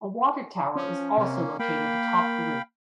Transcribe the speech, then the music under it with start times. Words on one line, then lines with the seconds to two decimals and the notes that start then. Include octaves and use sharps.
A water tower is also located atop the roof.
0.76 F3 C#4
1.18 C3 A#3 C#4
1.59 A#3 F5 G5 B5